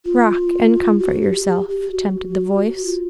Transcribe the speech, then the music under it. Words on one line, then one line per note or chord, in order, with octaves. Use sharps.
"Rock, and comfort yourself--" tempted the voice.
F4
F#4
G4
G4
G4
F#4
F4